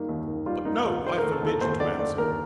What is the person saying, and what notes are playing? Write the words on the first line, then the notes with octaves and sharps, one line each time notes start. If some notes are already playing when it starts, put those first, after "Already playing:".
But no. I forbid you to answer.
Already playing: D#3 G3 A#3
D#2
D#3
G3 F4
A#3 D#4
D#2 F4
D3 C5
A3 A#4
A4
D#2
A4
D#2 C5
D3 D5
A3 D5
D#2 A#4